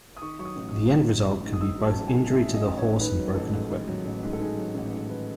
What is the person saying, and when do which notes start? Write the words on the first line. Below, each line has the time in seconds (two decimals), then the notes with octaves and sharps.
The end result can be both injury to the horse and broken equipment.
0.17 D#6
0.22 D#3 C#6
0.39 F#3 C#6
0.45 D#6
0.56 A1
0.69 G#2 D#6
0.92 D#3
1.08 F#3
1.27 A1
1.44 G#2
1.53 D#6
1.61 D#3 E6
1.78 F#3
1.85 A5
1.96 A1 A5
2.08 G#5
2.14 G#2
2.32 D#3 E5
2.48 F#3
2.54 D#5
2.66 A1
2.78 C#5
2.83 G#2
3.00 D#3 B4
3.18 F#3
3.35 A1 A4
3.53 G#2
3.70 D#3
3.87 F#3
4.05 A1
4.23 G#2
4.33 A4
4.40 D#3 G#4
4.58 F#3
4.75 A1
4.93 G#2
5.10 D#3 B4